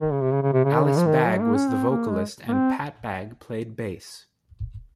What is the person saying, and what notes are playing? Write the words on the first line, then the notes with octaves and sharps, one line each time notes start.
Alice Bag was the vocalist and Pat Bag played bass.
D#3
C#3
C3
C#3
C#3
C3
C#3
D#3
C#3
F3
D#3
F#3
A#3
C#4
C4
A#3
G#3
A#3
C4